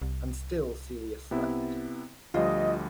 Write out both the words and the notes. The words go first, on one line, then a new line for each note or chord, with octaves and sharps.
And still Celia slept.
C2
C3 B3 E4
D2 F3 G3 F4 D#5